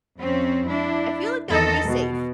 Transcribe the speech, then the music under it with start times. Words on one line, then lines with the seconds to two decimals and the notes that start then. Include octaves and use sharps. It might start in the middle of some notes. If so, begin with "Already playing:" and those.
I feel like that would be safe.
0.17 F2 C4 C#4
0.67 D4 E4
1.49 E2 D#3 A4 D#5
1.85 B2